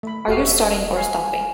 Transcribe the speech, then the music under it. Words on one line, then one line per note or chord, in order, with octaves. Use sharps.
Are you starting or stopping?
A3 B5
E1 F#4 G4 F5
D#5 E5
F5 G#5